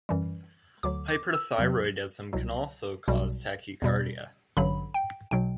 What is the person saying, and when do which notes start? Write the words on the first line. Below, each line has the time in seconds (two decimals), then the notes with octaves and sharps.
Hyperthyroidism can also cause tachycardia.
0.09 F#2 E3 G3
0.83 D2 D3 F#3 D6
1.08 D6
1.33 E6
1.58 E2 C3 F#3
2.33 C2 B2 F#3
3.08 B1 B2 G3
3.82 E2 B2 G3
4.57 A1 G2 D3 F#3 B5
4.94 G5
5.31 B1 B2 F#3 G5